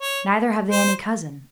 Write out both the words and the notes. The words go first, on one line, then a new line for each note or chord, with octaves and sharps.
Neither have they any cousin.
C#5
C5